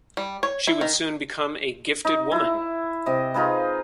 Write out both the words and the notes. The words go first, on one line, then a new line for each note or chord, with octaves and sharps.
She would soon become a gifted woman.
G3
C#5
E4
D#3
D#4 D#5
E4 E5
C3 D#5
D#4 F4 G#4 B4